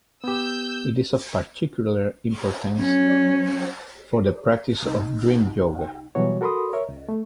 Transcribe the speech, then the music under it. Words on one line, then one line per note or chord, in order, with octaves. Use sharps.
It is of particular importance for the practice of dream yoga.
B3 G4 E6 G6
F#3 C#4
C2 D#4
B2 E3 F#3 G3 F#4 C#5
F#4 A4 A#4 B5 C6 D#6
A#4 C#5 E5
C#2
A3